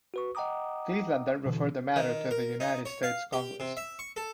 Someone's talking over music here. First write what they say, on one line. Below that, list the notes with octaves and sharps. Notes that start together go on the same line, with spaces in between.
Cleveland then referred the matter to the United States Congress.
F#4 B4 C#6
D#5 F#5 G5 A#5 D6 D#6
B2 D3 E3
D#3
A#4
D#4
C#5
F5
G4
C3
E5
C#6
A4